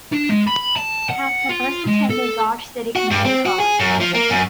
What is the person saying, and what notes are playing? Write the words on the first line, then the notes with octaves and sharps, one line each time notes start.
Tasker first attended Dodge City Community College.
D4
G#3
B5
A5
F#5
F4
G#3
A4
F#4
G2
C4
F#4
G#4
F#2
F3
A#3
F#2